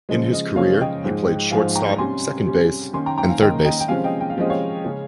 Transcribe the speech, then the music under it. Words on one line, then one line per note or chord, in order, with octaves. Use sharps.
In his career, he played shortstop, second base, and third base.
C#3 F3 G#3 D#5
D#5
C#3 F3 G#3 C#5 F5
D#5 G5
G#2 F3 G#3
G#2 F3 G#3 F5 G#5
G5 A#5
C3 G3 C#4 G#5 C6
C3 G3 C#4
D#3 A#3 C#4 G#5 C6
G5 A#5
G5 A#5
F5 G#5
D#3 A#3 C#4 D#5 G5
D#5 G5
G5
C3 F3 G#3 C#4 F5 G#5
D#5 G5
G5
F5
C3 F3 G#3 C#4 D#5
C#5 F5
C#3 G#3 C#4